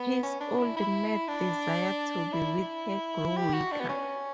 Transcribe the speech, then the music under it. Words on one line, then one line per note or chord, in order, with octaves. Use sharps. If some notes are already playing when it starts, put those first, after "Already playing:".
His old mad desire to be with her grew weaker.
Already playing: B3
C#4
D4
E4
E4
D4
E4
G4
F#4
D4
B3
C#4